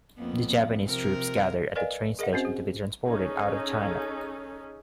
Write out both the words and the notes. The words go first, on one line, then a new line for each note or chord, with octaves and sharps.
The Japanese troops gather at a train station to be transported out of China.
F2 A#3 B3
C3 F3 A#4
A#4 B4 D5 D#5 F5 G#5
G#4 A#4 D#5 E5 F#5
C4 C#4 F#4 C5
G#4
C#4 D#4 G#4 A4